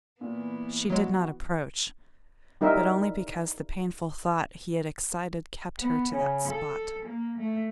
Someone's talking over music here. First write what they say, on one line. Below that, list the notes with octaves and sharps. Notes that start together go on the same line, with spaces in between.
She did not approach, but only because the painful thought he had excited kept her to that spot.
A#2 E3 B3
F#3 G#3 F#4
G3 D#4 E4 A#4 D#5 E5
B3
C#3
A4
A#3
A3